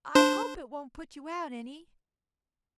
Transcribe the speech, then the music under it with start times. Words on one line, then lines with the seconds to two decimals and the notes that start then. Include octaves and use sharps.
"I hope it won't put you out any."
0.15 D4 C5 C6